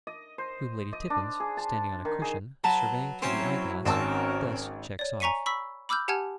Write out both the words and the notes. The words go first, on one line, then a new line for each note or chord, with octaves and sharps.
Whom Lady Tippins, standing on a cushion, surveying through the eye-glass, thus checks off.
D#5
C5
D#5
D4
G#4
A5
D#3
G#4
F#3 B4 A5 A#5
F#3 C4 C#4 E4 C5 G#5 C6
G#1 C4 C#4 F#4 A#4 A5 E6
C#5 D5
G#5 A#5 C#6 B6 C#7 D#7
B5 C#6 E6 B6
B5 D6 E6 F6 G6
G4 F#5 G#5 A5 F6 G#6